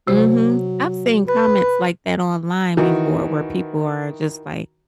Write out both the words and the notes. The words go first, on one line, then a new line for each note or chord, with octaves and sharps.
Mhm. I've seen comments like that online before, where people are just like,
C3 F#3 C5
B4
D#3 E3 F#4